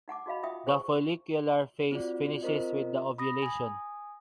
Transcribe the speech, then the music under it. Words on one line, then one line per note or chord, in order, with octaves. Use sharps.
The follicular phase finishes with the ovulation.
D#4 F#5 A5 D6
D#4 F#4 D#5 F5 B5
D#4 F4 E5 F#5 G5 D#6
G#4 C5 G5 A5 C#6
C4 F4 F#4 D5
C4 F4 A#4 C5 D#5
B5 D#6 A#6
G#5 D#6